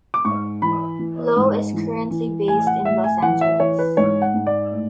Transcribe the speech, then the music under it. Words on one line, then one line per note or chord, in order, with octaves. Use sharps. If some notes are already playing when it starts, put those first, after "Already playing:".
Low is currently based in Los Angeles.
D6
G#2 C#6
E3 B5
E3
G#2
E3
E3
A2 G#5
F#5
A2 E5
G#5
E3 F#5
E5
E3 C#5
B4
G#2 C#5
F#5
G#2
D5
A2